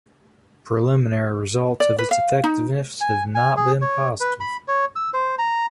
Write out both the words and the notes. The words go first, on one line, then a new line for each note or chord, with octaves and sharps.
Preliminary results of its effectiveness have not been positive.
D5
B4
F5
D#4
G#5
G#5
G#4
C#5
B4
B5
C#5
E6
C5
A#5